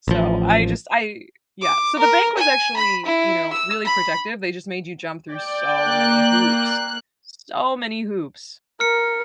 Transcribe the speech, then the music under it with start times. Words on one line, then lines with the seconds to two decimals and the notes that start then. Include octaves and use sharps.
So I just I Yeah, so the bank was actually, you know, really protective, they just made you jump through so many hoops. So many hoops.
0.08 A1 F3
1.61 D6
1.99 A#4
2.37 G#5
2.76 B5
3.05 E4
3.53 E6
3.85 B5
5.32 D5 G5
5.84 A#3 F#6
8.80 A#4 F6 C#7